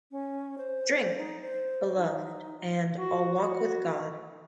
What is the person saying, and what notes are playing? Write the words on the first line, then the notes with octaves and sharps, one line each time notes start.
Drink!," "Beloved," and "I'll Walk With God.
C#4
C5
D#4
C5
D#4
F#4